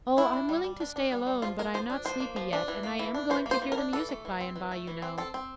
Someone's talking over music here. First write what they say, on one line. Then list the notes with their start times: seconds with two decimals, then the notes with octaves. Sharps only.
"Oh, I'm willing to stay alone; but I am not sleepy yet, and I am going to hear the music by and by, you know."
0.17 D4 E4
0.33 D4
0.49 G3
0.64 G3
0.80 D4
0.96 D4
1.12 G3
1.27 G3
1.42 F3 F4
1.59 A#3 A#4
1.74 F3 C5
1.90 D4
2.05 F3 C5
2.20 A#3
2.36 F3
2.53 D4
2.68 E3
2.83 A#3
2.99 E3
3.14 D4
3.30 E3 C5
3.46 A#3
3.51 C5
3.62 E3
3.72 A#4
3.78 D4
3.93 E3 A4
4.09 A3
4.25 E3
4.41 C4
4.56 E3
4.71 A3
4.87 E3
5.02 C4
5.18 C4 A4
5.34 C4